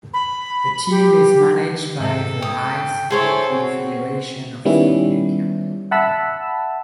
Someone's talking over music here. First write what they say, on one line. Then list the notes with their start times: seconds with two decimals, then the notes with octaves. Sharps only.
The team is managed by the Ice Hockey Federation of Slovakia.
0.14 B5
0.90 G4
2.00 G#2 C3 A4
2.42 G5 D#6
3.10 E4 G#4 A4 C5 C#5 G#5
3.49 C4 F#4
4.65 D#3 G3 B3 C#4 E4
5.91 E5 F#5 A5 B5 E6